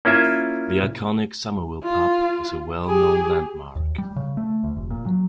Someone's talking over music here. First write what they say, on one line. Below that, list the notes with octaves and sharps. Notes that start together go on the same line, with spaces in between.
The iconic Somerville Pub is a well-known landmark.
A#3 C#4 E4 F4 E5
F4
G4 G#4
D#2
G3
C#3
A3
D2
F1
A#2
F#3